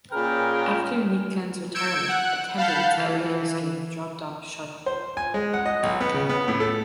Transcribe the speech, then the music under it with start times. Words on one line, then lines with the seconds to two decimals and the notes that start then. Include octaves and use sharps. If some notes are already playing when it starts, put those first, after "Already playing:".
After Mikan's retirement, attendance at Lakers games dropped off sharply.
0.12 A#2 C#4 G#4 A#4 B4 G5
1.74 E6 G6 G#6 C#7 D7 E7
2.09 F#5 F#6
2.57 F5 F#5 A5 B5 F6 G6
2.97 E3
4.86 C5
5.17 G#5
5.34 G#3
5.53 F#5
5.66 D#5
5.83 B1
6.01 B3
6.14 C#3
6.29 B3
6.48 A2
6.60 A4